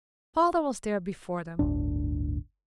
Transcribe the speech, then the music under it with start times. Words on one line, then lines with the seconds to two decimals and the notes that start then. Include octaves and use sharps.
Father was there before them.
1.59 G1 D2 A2 D4